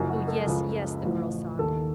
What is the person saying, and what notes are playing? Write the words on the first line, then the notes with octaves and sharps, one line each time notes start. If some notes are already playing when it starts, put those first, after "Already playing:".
"Oh, yes, yes," the girl sobbed.
Already playing: F#1 F#2 F3
F#4
A4
C#2 C#3 F3
A1 A2 F3
D#2 D#3 A4